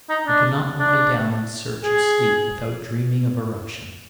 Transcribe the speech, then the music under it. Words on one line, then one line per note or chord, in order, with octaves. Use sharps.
I could not lie down in search of sleep without dreaming of eruptions.
D#4
D4
D4
G#4